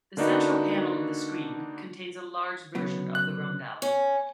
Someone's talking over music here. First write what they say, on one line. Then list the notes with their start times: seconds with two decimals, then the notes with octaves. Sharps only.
The central panel of the screen contains a large version of the roundel.
0.17 D3 A#3 D4 D#4 F#4 B4
2.75 C#3 F#3 B3
3.15 F#6
3.82 C#4